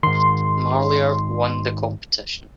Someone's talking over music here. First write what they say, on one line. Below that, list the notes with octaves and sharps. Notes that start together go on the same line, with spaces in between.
Marlier won the competition.
G#2 D#3 C6